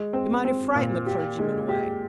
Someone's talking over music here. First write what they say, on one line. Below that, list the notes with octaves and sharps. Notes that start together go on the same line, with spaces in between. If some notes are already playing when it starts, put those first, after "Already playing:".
It might have frightened the clergymen away.
Already playing: G#3
C4
C4
A#2
G4
G#3
G4